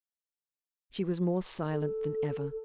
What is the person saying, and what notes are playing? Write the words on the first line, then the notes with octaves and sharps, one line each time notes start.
She was more silent than ever.
A4